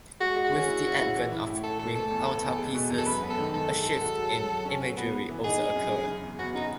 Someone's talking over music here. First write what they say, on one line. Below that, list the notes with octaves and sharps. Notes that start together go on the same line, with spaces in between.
With the advent of winged altarpieces, a shift in imagery also occurred.
G#3 F#4
G#3
F#4
C#4
E4
C#4
E4
E3
E4
A2
E4 A4
E4 A4
A3 A4
E2
B3
E2
G#3
B2
E2
A4
F#2 B4
B3
A4
D#3
D#3 A4
G#3
G#3
F#4
F#3
F#3
F#3
C#4
F#4
B3
B3
E3
D#4 G#4
D#4
F#2
C#3
C#3
E2
B3 F#4
C#3 D#4